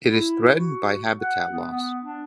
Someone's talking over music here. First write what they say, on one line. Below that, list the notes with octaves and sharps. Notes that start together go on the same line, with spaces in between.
It is threatened by habitat loss.
E4
F#4
F#5
B3
B3
D4